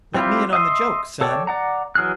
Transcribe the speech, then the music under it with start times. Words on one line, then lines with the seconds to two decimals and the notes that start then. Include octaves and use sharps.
"Let me in on the joke, son."
0.14 G3 C4 E4 F4 G4
0.53 D#5 E5 F#5 C6 D#6
1.21 A4 C#5 D5 G5
1.47 D5 F#5 A#5
1.95 E3 F#3 G#4 F6 F#6